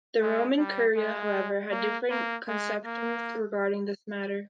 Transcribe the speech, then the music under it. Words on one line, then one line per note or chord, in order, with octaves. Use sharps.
The Roman curia, however, had different conceptions regarding this matter.
G#3
G3
G#3
A#3
A#3
G#3
A#3